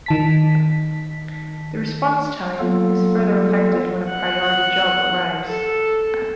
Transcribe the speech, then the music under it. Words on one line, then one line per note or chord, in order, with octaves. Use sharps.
The response time is further affected when a priority job arrives.
D#3 A5 B6
F#3 A#3 B3 F4 A4
F#5
A4